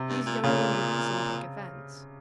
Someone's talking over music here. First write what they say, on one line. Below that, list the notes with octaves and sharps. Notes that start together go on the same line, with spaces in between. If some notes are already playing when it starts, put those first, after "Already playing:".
These young women easily take offense.
Already playing: C3
G2
A#2
A#2 C#3